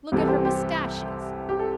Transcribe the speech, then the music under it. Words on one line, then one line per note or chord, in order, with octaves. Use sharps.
Look at her moustaches!
C2 C3 E3 A4
G4 C5
G4 C5
G4
A4